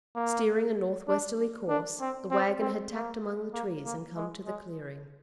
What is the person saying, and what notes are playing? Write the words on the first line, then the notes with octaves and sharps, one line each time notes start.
Steering a north-westerly course, the wagon had tacked among the trees and come to the clearing.
A#3
D4
D4
C4
C4
C4
A#3
A#3
A#3
G#3
G#3